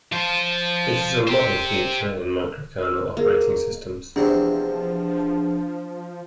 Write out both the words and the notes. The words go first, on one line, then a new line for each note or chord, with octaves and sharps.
This is a model feature in microkernel operating systems.
F3 C5
G4 C5
E6 F6
A#3 G#4 A#4
E2 C3 F3 D4